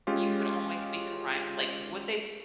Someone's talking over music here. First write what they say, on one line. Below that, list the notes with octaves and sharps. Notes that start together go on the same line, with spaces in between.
you could only speak in rhymes, like, would they f
G#3 C#4 F4 G4